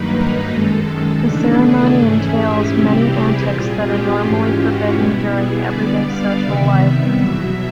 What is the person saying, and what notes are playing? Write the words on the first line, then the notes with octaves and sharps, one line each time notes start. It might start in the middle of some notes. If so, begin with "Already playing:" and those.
The ceremony entails many antics that are normally forbidden during everyday social life.
Already playing: G2 D#3 F#3 A#3 D#4 B4
A#4
F#2 D#3 G#3 A4
D#2 C#3 E3 A3 D4
G#4
G#2 E3 A3 C#4 E4 G#4
G4
C3 E3 G3 C4 E4 G4
G#4
A#2 G3 C4 F4 G#4
G4
G#2 E3 G#3 C#4 F4
F#4
B2 G3 B3 E4
G#4
D3 G3 B3 D5
F5
C3 D#3 G3 B3 E5
E2 B2 F#3